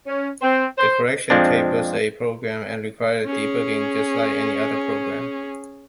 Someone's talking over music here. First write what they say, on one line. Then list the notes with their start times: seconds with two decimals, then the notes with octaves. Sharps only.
The correction tape was a program, and required debugging just like any other program.
0.06 C#4
0.41 C4
0.78 C5
1.30 F2 F3 G#3 C4 D4
3.26 C#4 G#4